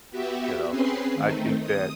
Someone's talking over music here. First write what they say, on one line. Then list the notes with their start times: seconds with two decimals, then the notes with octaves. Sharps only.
you know? I think that,
0.10 B3 F#4 G4 E5
0.69 C4 C#4 G#4 B4 C6
1.15 D#3 A3 C4 D#4
1.61 D#6